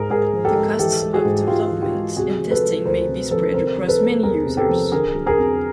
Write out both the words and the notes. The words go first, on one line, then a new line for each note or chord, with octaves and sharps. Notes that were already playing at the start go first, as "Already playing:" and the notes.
The costs of development and testing may be spread across many users.
Already playing: G#2 G#3 G#4 A#4
G#2 G#4 A#4
F3
G4 A4
G#3
E3 G4 A4
G#3
F#4 G#4
G#2
G#2 F4 G4
E3
F4 G4
G#3
C3 F#4 G#4
F3
A4 B4
G#3
D2 A#4 C5
C3
F3 A4 B4
C3 A#4 C5
F3
A4 B4
G#3
E2 G#4 A#4
C3
G4 A4
F3
D3 G#4 A#4
F#3
G#4 A#4
F2